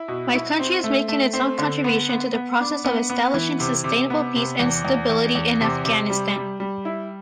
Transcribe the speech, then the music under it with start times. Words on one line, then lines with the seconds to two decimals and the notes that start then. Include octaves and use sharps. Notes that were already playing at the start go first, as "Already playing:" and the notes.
My country is making its own contribution to the process of establishing sustainable peace and stability in Afghanistan.
Already playing: E4
0.08 B2
0.34 E4
0.59 C4
0.84 A3
1.08 A3
1.33 C4
1.58 D3
1.84 B3
2.09 B3
2.34 B3
2.60 D4
2.85 B3
3.10 B3
3.34 E3
3.60 C3
3.84 C3
4.10 B3
4.35 C3
4.59 E2
4.85 E2
5.10 E2
5.35 E2
5.61 C3
5.85 C3
6.10 G3
6.36 G3
6.60 G3
6.85 E4